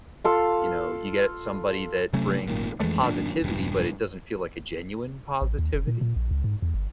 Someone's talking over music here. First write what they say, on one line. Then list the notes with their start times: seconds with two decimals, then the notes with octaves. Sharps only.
you know, you get somebody that brings a positivity, but it doesn't feel like a genuine positivity.
0.24 F4 A4 F5
2.13 C3 F#3 A3 C#4
2.47 G#1 A#2 D#3
2.80 F2 E3 G#3 A3
3.03 G#1 F#2 A#2 D4
3.42 E1 G2
5.42 A1
5.59 D#2
5.74 F1
5.87 A#2
6.01 A#2
6.16 A#1
6.31 C#2
6.44 G#2
6.62 E2
6.74 G1